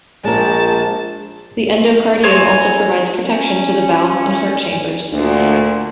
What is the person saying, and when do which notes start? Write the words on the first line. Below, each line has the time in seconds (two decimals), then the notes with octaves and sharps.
The endocardium also provides protection to the valves and heart chambers.
0.24 A#1 G#3 A#4 A5
2.23 C4 C#5 G#5
3.22 C#4
5.11 D2 A#2